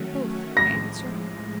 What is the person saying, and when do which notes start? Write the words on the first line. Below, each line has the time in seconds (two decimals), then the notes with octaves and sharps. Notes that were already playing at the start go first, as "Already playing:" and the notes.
Both, I answer.
Already playing: D#3 F#3 A3 C#4 F#4
0.57 A2 F3 G#3 A#6